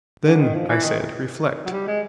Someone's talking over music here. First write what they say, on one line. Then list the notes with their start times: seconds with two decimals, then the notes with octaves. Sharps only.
Then, I said, reflect.
0.25 D3
0.40 D#3
0.54 F3
0.69 E3
0.84 D#3
1.65 F#3
1.71 G3
1.87 G#3